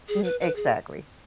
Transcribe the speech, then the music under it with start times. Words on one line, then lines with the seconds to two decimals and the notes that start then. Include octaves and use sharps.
Mm, exactly.
0.08 G#4
0.24 B4
0.40 B4
0.56 G#4